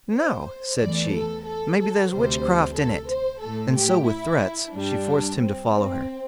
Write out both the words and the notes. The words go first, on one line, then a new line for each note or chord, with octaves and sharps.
'No', said she, 'maybe there's witchcraft in it'; and so with threats she forced him to follow her.
C5
E2 E3 A3 D5
A4
A4
A4
D2 C3 G3 C5
A4
C5
A2 A3 A4
G4
E4
G2 G3 D4
C4
C4